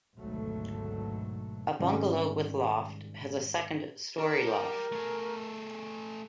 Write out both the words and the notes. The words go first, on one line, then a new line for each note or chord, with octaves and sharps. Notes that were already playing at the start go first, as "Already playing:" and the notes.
A bungalow with loft has a second-storey loft.
G#1 D2 G#2 B2 F#3 A3
G#2 C3 D#3 G3 G#3 C#4
D4 A#4 D5
G4 D5
A3 G#4